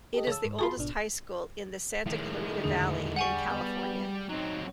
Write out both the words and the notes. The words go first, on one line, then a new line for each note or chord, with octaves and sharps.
It is the oldest high school in the Santa Clarita Valley in California.
G4 A4 D#5
C#3 A5 E6
G#2
F4 F#4 G#4 A5 B5 C6
G#1 B2 D4
A2 D#3 G#3
E2 D3 G#4
G3 F#5 G#5 C#6
B3
G5
F#3 C4 D#4